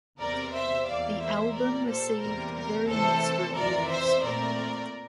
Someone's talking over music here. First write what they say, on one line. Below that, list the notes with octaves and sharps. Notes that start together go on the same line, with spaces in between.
The album received very mixed reviews.
E2 C3 G3 C4 A#4 D5
C5 E5
E2 E3 G3 A#3 D5 F5
C5 E5
A#2 G3 A#3 A#4 D5
A4 C5
E2 C3 G3 A#3 A#4
A#4
E2 C3 E3 A3 C4 A4 C5
F2 C3 E3 A#4 D5
C5 E5
A#2 A3 C4 A#4 D5